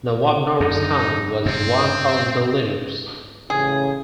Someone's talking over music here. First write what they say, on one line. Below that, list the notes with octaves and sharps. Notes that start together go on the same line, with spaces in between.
Nawab Nowroz Khan was one of the leaders.
F#2 D3 D#4
G2 C3 C4
A1 C#3 G#4